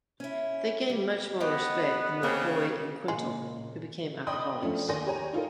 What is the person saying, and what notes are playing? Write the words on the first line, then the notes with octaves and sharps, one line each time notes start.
They gained much more respect than McCoy and Quintal, who became alcoholics.
C#4 E4
G3
B3 D#4 G4 C5
C#3 A#3 C4
A#2 C#3 G#3 A#3
D5 D#5 G5 B5 C6 D#6
F3 A3 C#4 D4
D#2 A#3 D5 G#5 C6 A#6
G4 C#5 D5 G#5 A#5
D#4 F4 A4 A#4